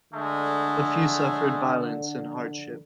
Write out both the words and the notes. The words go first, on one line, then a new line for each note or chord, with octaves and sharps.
A few suffered violence and hardship.
D3 G#3 A3